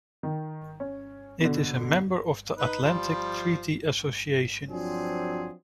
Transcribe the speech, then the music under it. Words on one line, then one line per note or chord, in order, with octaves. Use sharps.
It is a member of the Atlantic Treaty Association.
D#3
C#4
B2 D3
D#4 B4
F3 G3
F3 F#3 C4 D4 F4 G#4